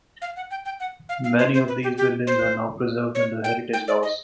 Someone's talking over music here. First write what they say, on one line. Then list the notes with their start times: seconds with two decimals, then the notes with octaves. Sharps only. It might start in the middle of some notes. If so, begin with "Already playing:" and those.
Many of these buildings are now preserved under heritage laws.
0.22 F5
0.36 F#5
0.51 G5
0.65 G5
0.80 F#5
1.09 F5
1.24 F5
1.39 C5
1.54 C5
1.68 B4
1.83 G4
1.98 G4
2.27 C5
3.15 C#5
3.44 G5
3.73 G5
3.88 D5
4.03 D#5